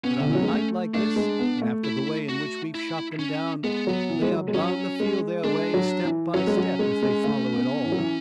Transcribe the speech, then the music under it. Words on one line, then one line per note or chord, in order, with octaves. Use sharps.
But on a night like this, and after the way in which we have shot them down, they are bound to feel their way step by step if they follow at all.
B3 C#4
D3
E3
F#3
G#3
A3
A3 D4
G#3
B3
A3
E4
F#4
E4
C#4
G#3 B3
F#3
E3
G#3
F#3
G#3
F#3 C#4
G#3
G#3 D4
F#3
E3
F#3 C#4
G#3
F#3
G#3
G#3
A3
B3
E3
F#3
E3